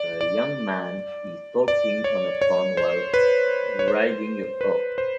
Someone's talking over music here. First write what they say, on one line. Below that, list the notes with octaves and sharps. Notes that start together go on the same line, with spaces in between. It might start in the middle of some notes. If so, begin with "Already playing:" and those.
A young man is talking on a phone while riding a horse.
Already playing: D5
D5
D5
C#5
C#5
C5
B4
C#5
C5
B4
C5